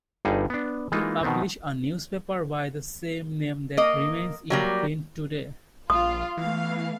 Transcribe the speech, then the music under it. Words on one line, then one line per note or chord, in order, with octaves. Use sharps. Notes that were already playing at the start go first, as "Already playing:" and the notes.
They publish a newspaper by the same name that remains in print today.
G1 G2 G3 D#4 G#4 F#5
B3 D4
E3 G#3 A#3 D#4 F4
B2 D#3 B3 C4
A#3 D#5
F#3 G3 A#3
A#1 F4 D#6
E3 A3 B3 F5